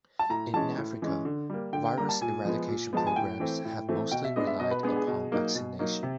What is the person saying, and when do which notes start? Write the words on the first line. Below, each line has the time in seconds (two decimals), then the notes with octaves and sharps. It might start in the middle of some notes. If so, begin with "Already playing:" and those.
In Africa, virus eradication programs have mostly relied upon vaccination.
0.19 A5
0.30 A2 A#5
0.53 E3 G#3 C#4 A5
0.77 A2
1.02 E3 G#3 C#4
1.25 D3
1.50 G3 A#3
1.73 D3 G5
1.85 G5
1.97 G3 A#3 A#5
2.09 A5
2.21 A#2 G#5
2.45 F3 G#3 B3
2.68 A#2
2.93 F3 G#3 B3 A5
3.07 G#5
3.16 A2 G5
3.40 E3 A3 C4
3.65 A2
3.89 E3 A3 C4
4.11 B2 G5
4.24 E5
4.36 G#3 B3 D4 D#5
4.47 E5
4.59 B2 D#5
4.71 B4
4.83 G#3 B3 D4 G#4
4.96 G#4
5.07 B2
5.31 F#3 A#3 D#4
5.55 B2
5.79 F#3 A#3 D#4
6.03 C3